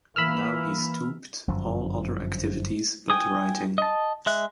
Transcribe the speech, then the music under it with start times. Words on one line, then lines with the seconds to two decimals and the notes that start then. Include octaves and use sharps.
Now he stooped all other activities but writing.
0.16 E3 A#3 B5 E6 F6
1.47 G1 F#2 F3
3.10 G5 G#5 D#6
3.78 D#5 A5
4.26 G#3 E5 F#6